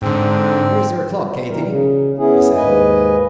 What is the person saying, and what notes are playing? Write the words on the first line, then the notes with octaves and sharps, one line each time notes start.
"Here's your clock, Katy," he said.
G#2 D3 C4
B2 E3 G3 A#4
C#3
B3 C#4 E4 G#4
D#2 G#2 A#3 B4 D#5 G#5